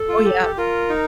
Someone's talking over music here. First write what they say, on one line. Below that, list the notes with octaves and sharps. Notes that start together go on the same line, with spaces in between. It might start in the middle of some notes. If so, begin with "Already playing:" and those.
Oh, yeah.
Already playing: A4
F4
G4
G4
F4 A#4
D#4